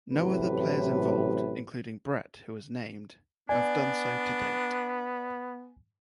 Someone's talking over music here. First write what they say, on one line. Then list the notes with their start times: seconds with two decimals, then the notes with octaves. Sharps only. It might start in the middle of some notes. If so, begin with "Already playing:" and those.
No other players involved, including Brett who was named, have done so to date.
0.12 A1 A2 C3 F#3 B4
3.49 B3 D4 D5 G#5